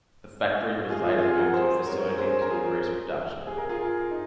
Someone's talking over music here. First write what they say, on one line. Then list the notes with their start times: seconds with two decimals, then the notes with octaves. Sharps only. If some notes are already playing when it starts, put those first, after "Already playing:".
The factory was later moved to a facility to increase production.
0.89 F4 G#4
1.06 F4 G#4
1.21 F4 G#4
1.38 F#4 A#4
1.54 G#4 C5
1.86 A#4 C#5
2.18 G#4 C5
2.42 A#4
2.51 F4 G#4
3.47 G#4
3.58 A#4
3.69 F4 G#4
4.11 D#4